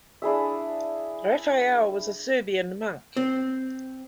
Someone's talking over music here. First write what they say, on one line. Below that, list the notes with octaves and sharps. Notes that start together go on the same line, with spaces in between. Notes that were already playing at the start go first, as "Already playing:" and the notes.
Raphael was a Serbian monk.
D4 E4 G#4 E5
C4